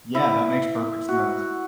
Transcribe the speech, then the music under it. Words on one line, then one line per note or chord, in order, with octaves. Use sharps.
Yeah, that makes perfect sense.
E4
F#4